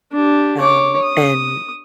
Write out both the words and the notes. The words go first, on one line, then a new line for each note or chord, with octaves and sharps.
um, and
D4 G4
C#5 D6
D#6